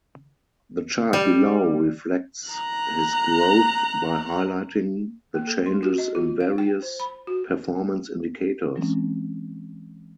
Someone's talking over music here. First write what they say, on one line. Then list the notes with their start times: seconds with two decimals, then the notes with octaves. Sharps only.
The chart below reflects this growth by highlighting the changes in various performance indicators.
1.13 G3
2.49 A#5 F#6
5.35 A#3
5.47 A4
5.66 C6
5.83 F#4
5.98 D#5
6.15 F4
6.40 F5
6.58 G5
6.82 C5
7.00 B5
7.27 F#4
8.75 E3 F#3 G#3 A#3 C4 C#4